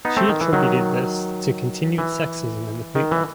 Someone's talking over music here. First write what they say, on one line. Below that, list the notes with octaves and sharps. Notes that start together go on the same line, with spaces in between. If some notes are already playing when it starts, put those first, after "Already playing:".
She attributed this to continued sexism in the field.
B3 D#4
A3 C4
D#3
E3
D#3 F#3
E3
D#3
E3